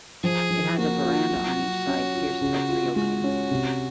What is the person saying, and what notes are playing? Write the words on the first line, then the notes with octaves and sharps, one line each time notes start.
It has a verandah on each side pierced by three openings.
F3 G#4
F3
A#3 F#4
F4
F#3
F#3
C#4
F4
C#3
F4
G#3 F#4
C#4
C3